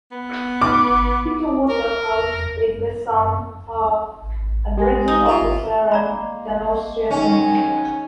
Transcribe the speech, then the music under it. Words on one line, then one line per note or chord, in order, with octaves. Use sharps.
Peter Waterhouse is the son of a British officer and an Austrian woman.
B3
D6
A#4
G#3 G4 G#5 A#6
D#4
E4 F4
G#1
G#3 A#3 D5 A#5 B5
D#2 G#2 D#3 F#3 C#4